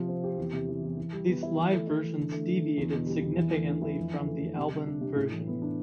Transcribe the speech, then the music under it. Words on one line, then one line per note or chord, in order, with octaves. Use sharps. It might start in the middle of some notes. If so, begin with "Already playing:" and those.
These live versions deviated significantly from the album version.
Already playing: C3 F3 F4
C4
G4
E2
C3
E3
E2
E3
G3
B3
E4
E3
A3
E4
E3
D3
A3
D4
D3
E2
B2
G3
E2
E3
A3
D4
E3
F2
D3
A3
D4
C3
G3
D4
C3
A2
E3
B3
D4